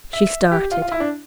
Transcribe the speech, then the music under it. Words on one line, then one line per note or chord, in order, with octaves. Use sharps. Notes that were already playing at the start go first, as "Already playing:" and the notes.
She started.
E5
G4
F4
F4
E4
D4